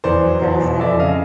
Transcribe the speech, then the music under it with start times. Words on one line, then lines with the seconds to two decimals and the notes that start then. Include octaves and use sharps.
It doesn't.
0.04 E2 C5 D5
0.23 F#3
0.42 E2
0.61 B2
0.80 F2 D5 E5
0.99 C#3 D#5 F5